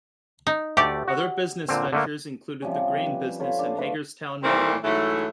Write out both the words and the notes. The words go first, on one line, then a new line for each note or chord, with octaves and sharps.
Other business ventures included the grain business in Hagerstown, Maryland.
D#4
D2 A3 G4 D5
F#4
A#2 D3 C4
D3 A3 A#3
C3 F3 G3 C#4
B4
F4 A4 C#5 B5
D4
A3 F4 B4
D#3 E3 G3 A3 A#3 C4
G#2 E3 F#3 A3